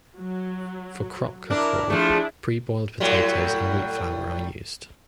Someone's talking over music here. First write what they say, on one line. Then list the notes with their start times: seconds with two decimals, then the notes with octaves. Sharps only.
For kroppkakor, pre-boiled potatoes and wheat flour are used.
0.18 F#3
1.50 D4 E4 A#4
1.90 F3 A3 D4 E4 G#4
3.00 A2 F#3 G3